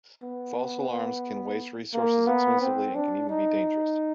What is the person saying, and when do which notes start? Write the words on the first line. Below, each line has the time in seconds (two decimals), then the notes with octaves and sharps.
False alarms can waste resources expensively and can even be dangerous.
0.23 B3
1.94 A#3
2.27 B3
2.61 C4
2.95 D4
3.29 D#4